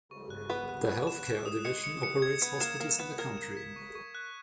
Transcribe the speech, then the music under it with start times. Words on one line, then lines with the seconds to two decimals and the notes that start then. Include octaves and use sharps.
The health care division operates hospitals in the country.
0.11 C#6
0.30 F#6
0.49 B3 B4 F#6
0.69 F#6
0.88 F#6
1.07 E7
1.26 E7
1.46 D#6
1.65 G#3 G#4 C#7
1.84 C#7
2.03 C#7
2.22 G#6
2.42 B3 B4 C#7
2.61 A#3 A#4 E7
2.80 A#3 A#4 G#6
2.99 B3 B4 E7
3.18 A#3 A#4 G#6
3.38 E7
3.57 B6
3.76 C#6
3.95 C#6
4.15 F#6